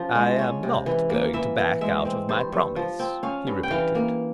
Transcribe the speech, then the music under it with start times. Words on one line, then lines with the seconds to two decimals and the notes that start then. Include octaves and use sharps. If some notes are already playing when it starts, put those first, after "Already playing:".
"I am not going to back out of my promise," he repeated.
Already playing: F3 C#4
0.15 G#3
0.39 C#4
0.63 C3
0.86 E3
1.10 A#3
1.33 E3 E5
1.58 E3
1.81 G#3 E5
2.05 C4
2.29 G2 C5
2.52 G2
2.76 F3
2.99 C4
3.23 C#4 F5
3.47 G2
3.63 G5
3.71 E3 F5
3.95 A#3